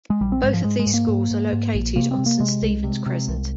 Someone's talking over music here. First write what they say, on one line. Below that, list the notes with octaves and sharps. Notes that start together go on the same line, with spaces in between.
Both of these schools are located on Saint Stephens Crescent.
G#3
A#1 G3
C4
G#2 G#3
F3
G#2 G#3
G#3
G#2
A#3
G#2
G#2
G#2
A#1
C3 A#3
C4
C3
A#3
C3 G#3
C2
C3
C3
C2